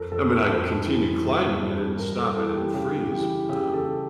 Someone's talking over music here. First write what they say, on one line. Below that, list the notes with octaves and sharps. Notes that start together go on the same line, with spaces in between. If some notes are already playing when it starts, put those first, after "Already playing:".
I mean, I continue climbing, I didn't stop, I didn't freeze, um,
Already playing: F2 A4 A#4
F2 A4
A#4
F2 A4
E3
G2
G2
G2 A#4
A4
E3 A4
G4
C#3 G4
E3 G4
C#3 G4
A4